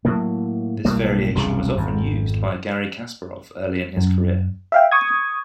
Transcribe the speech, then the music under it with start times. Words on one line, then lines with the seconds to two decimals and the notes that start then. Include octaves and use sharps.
This variation was often used by Garry Kasparov early in his career.
0.05 A2 F#3 A#3
0.85 B1 A2 G3 A#3
1.35 E1 C2 A#2 C#3
1.77 G#1 F2
3.97 F#2
4.72 E5 F5 G5
4.91 C#6 D#6 G#6